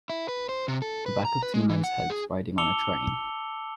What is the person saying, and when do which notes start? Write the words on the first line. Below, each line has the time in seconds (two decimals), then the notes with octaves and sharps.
The back of two men 's heads riding on a train.
0.10 E4
0.29 B4
0.49 C5
0.68 C3
0.82 A4
1.06 B4
1.25 A#5
1.43 B4
1.54 G#3
1.69 E3
1.84 F#5
2.10 G#4
2.58 A5 D6 E6 C#7 F7 G7